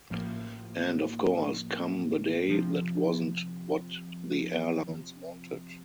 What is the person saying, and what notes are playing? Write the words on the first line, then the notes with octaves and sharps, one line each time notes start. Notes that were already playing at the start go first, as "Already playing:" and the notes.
And, of course, come the day, that wasn't what the airlines wanted.
A1 A2 F3 A#3
C3 F3 C4